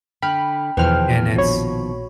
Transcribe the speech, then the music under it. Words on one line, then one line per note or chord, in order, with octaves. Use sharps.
And it's
D3 G5 B5 F6
E2 B2 D#3 F3 B4 C5 G5 F6
A#1 F#4 C#5 B5